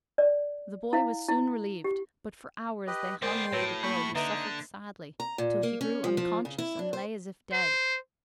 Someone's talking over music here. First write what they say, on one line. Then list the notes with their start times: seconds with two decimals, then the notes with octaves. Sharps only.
The boy was soon relieved, but for hours they hung over the girl, who suffered sadly, till she grew unconscious and lay as if dead.
0.18 D5
0.93 E4 F5
1.29 E4
1.84 G4
2.87 G4 B4 D#5
3.22 B3 A#4 C5 D5 G5 C6
3.53 A2 F#4 B4 C#5
3.83 A#3 B5 C#6
4.15 D3 D#4 B4 E5 A#5
5.20 A#5
5.38 A#2
5.63 A#3
5.81 C#4
6.04 F3
6.17 F3
6.45 C#3
6.58 E4
6.79 D4
6.93 C5
7.52 C5